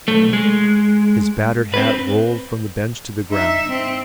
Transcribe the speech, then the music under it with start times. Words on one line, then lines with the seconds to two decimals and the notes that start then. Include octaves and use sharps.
His battered hat rolled from the bench to the ground.
0.08 B1 A3
0.33 G#3
1.74 C4 B4
3.30 D#4 E5
3.69 C4